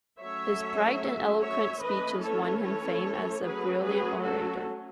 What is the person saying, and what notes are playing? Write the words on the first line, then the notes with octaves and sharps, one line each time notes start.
His bright and eloquent speeches won him fame as a brilliant orator.
F#3 A3 C#4 C#5 E5
C#5 E5
E3 A3 C#4 B4 D#5
A4 C#5
A4 C#5
F#3 A3 C#4 G#4 B4
G#4 B4
F#4 A4